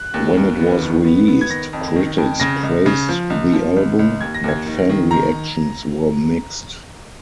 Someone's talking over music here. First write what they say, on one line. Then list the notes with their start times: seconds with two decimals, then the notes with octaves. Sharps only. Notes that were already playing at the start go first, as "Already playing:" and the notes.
When it was released, critics praised the album, but fan reactions were mixed.
Already playing: F#6
0.14 D#2
0.37 D#2
0.60 B3
0.82 D#3
1.05 B3
1.28 B3
1.41 G#6
1.49 D#3 A#6
1.73 F2
1.96 D#3
2.18 F2
2.40 C#3 A#6
2.63 C#2
2.86 C#3
3.09 F3
3.30 C#2
3.53 F3
3.76 C#2
3.99 C#2
4.21 D#2 G#6
4.35 A#6
4.44 D#2 G#6
4.66 D#3
4.89 D#3
5.11 D#3 A#5